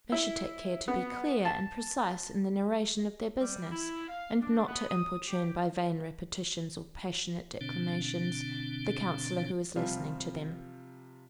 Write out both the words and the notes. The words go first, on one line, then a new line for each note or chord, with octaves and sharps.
They should take care to be clear and precise in the narration of their business, and not to importune by vain repetitions or passionate declamations, the counsellor who is listening to them.
E4
B3
A5
G3
E4
F5
D4
B3
D#6
G4
B2 D3 C4 D4
C3 F3 G3 F4